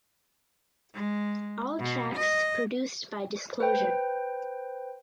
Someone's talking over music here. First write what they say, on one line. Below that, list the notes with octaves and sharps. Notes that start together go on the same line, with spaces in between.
All tracks produced by Disclosure.
G#3
B2
D#5
B4 C5 G5